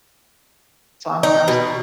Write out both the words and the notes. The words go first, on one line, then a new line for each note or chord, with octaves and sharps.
So, I'm I'm s
D#4
B2